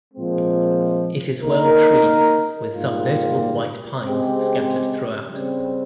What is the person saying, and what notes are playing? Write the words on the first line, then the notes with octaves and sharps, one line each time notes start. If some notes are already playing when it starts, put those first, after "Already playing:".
It is well treed, with some notable white pines scattered throughout.
A#2 F3 G#3 C4
A#3 D#4 A#4
G#2 G3 A#3 F4
C#3 G#3 C4 G4
C#3 G3 C4